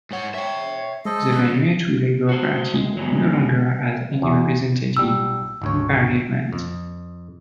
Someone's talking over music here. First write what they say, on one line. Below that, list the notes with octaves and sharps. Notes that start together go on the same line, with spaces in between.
The Vanuatu Labor Party no longer has any representatives in Parliament.
G#2 C#5 F#5
C#5 E5 G5
G#3 A4 C5 D#5
D#3 C#4 B4
F#4 C5
G#3
F#3 G#3 B3
E2
B1 G3 E6
G#1 D2 C#5
F2